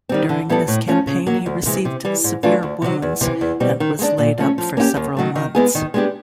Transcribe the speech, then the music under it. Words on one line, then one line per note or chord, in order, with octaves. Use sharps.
During this campaign he received severe wounds and was laid up for several months.
D#3 G3 C4
D3
G3 B3 E4 A4
A2
F3 A3 C#4
C#3
F#3 A#3
D2
C3 E3 G#3
C3
E3 G3
G#2
E3 A3 D4 F4
D2
C3 D#3 F#3
E2
C3 E3
E2
B2 G3 C4
D#3
G#3 B3 D4
A#2
F3 A3 C#4
F3
A#3 C#4 E4 G4
D#2
D#3 F#3 A3
D#3
G#3 B3 E4 G#4
D#3
G#3 B3 D4 G4